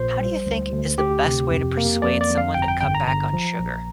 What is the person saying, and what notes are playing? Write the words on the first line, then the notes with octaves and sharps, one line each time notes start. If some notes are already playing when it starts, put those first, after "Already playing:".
How do you think is the best way to persuade someone to cut back on sugar?
Already playing: A#1 A#2 C5
G3
D2
D2
D2 G4
C3
F2
A#3
F2 D5
D5
F2
F5
G1 G5
A#5
G5
G1 G5
A#5
G1 A#5
F3
A#1